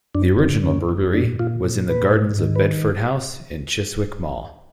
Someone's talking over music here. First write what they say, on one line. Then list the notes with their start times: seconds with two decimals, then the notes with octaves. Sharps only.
The original brewery was in the gardens of Bedford House in Chiswick Mall.
0.15 F#2 D4
0.39 D3 C4
0.64 F#2 C#4
0.89 F#2
1.14 A#2 D4
1.39 A#2 F4
1.65 A#2
1.90 A#2 B4
2.14 G#2
2.39 D#3
2.56 B4